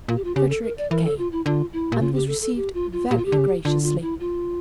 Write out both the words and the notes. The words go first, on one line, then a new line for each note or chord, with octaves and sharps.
"Frederic" came and was received very graciously.
A#2 F4
G4
F4
C#3 G4
A4
A#4
D5
E3 A#4
A4
F4
E4
D3 F4
E4
A#2 G4
C#3 F4
G4
A4
A4
G4
F4
F4
A#2 G4
F4
G4
D3
C#3
D3 F4
F4
E4
F4